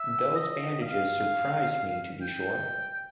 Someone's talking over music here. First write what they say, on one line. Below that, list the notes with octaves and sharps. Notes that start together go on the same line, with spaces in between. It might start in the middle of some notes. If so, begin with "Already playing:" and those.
Those bandages surprised me, to be sure!
Already playing: E5
D#5
F5
G5